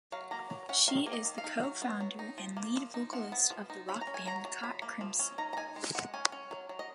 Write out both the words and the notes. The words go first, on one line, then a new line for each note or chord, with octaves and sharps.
She is the co-founder and lead vocalist of the rock band Caught Crimson.
F#3 F5
A#3 A#5
F#3
C#4 F#5
D#3 F5
A#3
D#5
D#3
F5
D#4
F#3
B3
F#3
D#4
F3
A#3
F3
D#4
F3 F#5
B3
F3
D#4
C#4 B5
A#5
C#4
G#5
F#3 A#5
F#3
F3 B5
A#3
F3
C#4
D#4 A#5
A#5
D#4 G#5
G#3
G#3 F#5
C#4 G#5
C#4
F#3
F#3
D#5